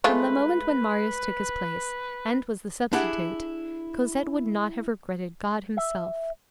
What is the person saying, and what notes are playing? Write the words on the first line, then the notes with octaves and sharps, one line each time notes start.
From the moment when Marius took his place, and was the substitute, Cosette would not have regretted God himself.
G#3 A3 F4 B4
D4 E4 G4 G#4 F#5
E5